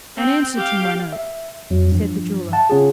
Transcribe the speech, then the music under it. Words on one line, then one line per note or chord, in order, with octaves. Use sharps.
"An answer to my note," said the jeweler.
C4 G5
G4 F5
E5
F2 F#3
G2 F3
E5 F#5 A5
C#3 C#4 F4 G#4